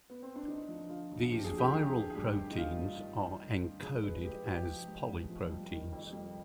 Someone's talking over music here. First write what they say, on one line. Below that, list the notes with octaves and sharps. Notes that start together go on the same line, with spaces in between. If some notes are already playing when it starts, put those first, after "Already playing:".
These viral proteins are encoded as polyproteins.
B3
C4
D4
D3 D#4
F3
D3 F4
D#2
F3 G4
G#4
D3
G4
D3 G#4
D3
G#4
G2 G4
D#3
D#4
D#3 F4
G2
D#3
G2
D#3
G2
F3 G#4
G#2 B4
G#2 G4
F3 G4
F3
G#2
G#2
F3
G3
D#3
F2
G3